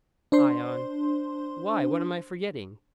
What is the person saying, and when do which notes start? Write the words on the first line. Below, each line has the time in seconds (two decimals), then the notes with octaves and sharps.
ION: Why, what am I forgetting?
0.32 D4 C5 C6